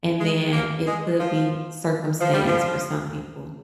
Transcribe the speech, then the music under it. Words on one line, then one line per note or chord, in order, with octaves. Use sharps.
and then it could be circumstance for some people.
G#3
A#3
G#3
F3
F3
G3
F3